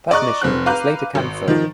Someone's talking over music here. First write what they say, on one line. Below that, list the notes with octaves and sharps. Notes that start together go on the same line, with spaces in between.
That mission was later canceled.
D5 D#5 A#5 C#6 D6 F#6
F1 C4 F#6
B4 F5 A#5 D6 F#6 G6
G#1
D#3 F3